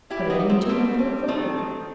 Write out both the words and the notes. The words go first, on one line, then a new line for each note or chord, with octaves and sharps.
"Put it into my portfolio."
G3 E4 G4
D#4 F#4
G3
C4 E4
G3 A3 C4
G3
D#3 A3 C4
D#3